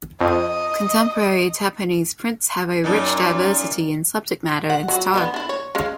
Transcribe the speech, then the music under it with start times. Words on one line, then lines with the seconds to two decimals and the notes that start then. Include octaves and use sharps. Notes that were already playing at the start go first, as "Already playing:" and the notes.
Contemporary Japanese prints have a rich diversity in subject matter and style.
0.21 F2 D#5
2.84 F#2 A#2 D#4
4.70 F#5
4.88 F#3 F#4
5.14 D3 G3 B3
5.34 D4 E4
5.49 C#5
5.75 G#3 C#4 F5